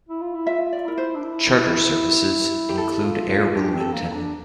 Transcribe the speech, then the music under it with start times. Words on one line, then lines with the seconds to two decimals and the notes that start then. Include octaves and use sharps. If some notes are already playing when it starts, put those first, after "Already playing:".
Charter services include Air Wilmington.
0.09 E4
0.21 F4
0.34 E4
0.47 F4 E5
0.72 D5
0.85 E4 A#4
0.98 C5
1.15 D4
1.24 E4
2.69 G4
2.77 E4 A4
3.04 F4
3.29 F4
3.55 D4 G4
3.74 C4
3.80 A4
3.93 A#3
4.13 D4